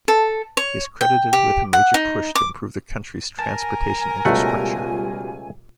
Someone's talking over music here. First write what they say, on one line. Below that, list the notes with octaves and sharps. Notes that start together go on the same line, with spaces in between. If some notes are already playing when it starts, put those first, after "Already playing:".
He is credited with a major push to improve the country's transportation infrastructure.
A4
C#5
G5
G4
F#5
D#4
D6
A#4 G#5 A5
C#2 B2 G3 A3 F4 F#5